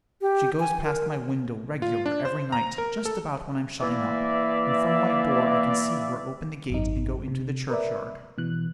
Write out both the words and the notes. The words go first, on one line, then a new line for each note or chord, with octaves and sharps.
She goes past my window regular every night, just about when I'm shutting up, and from my door I can see her open the gate and go into the churchyard.
G4
G#5
A#4
F4
D4
C5
A#5
A#4
A4
E3 A#3 D5 E5
G#1 F#2 D#4
C3
A#4 B4 D5 E5
B2 E3 F#6